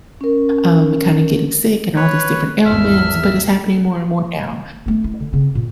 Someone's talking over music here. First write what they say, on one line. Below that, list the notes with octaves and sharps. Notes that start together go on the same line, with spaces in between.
um, kinda getting sick and all these different ailments, but it's happening more and more now.
C#4 A#4
B4 C#5
G#1 E2 E5 F6
A3 B3
E4
D3
C#3 C4
A#2